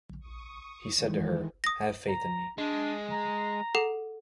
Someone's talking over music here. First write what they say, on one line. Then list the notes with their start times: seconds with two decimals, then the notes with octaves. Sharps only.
He said to her, Have faith in Me.
0.20 C#6 D#6
0.94 D#3 E3 G#3
1.64 D#6 A#6
2.08 A#5
2.58 G#3 D4
3.11 A#5
3.75 G#4 A4 F#5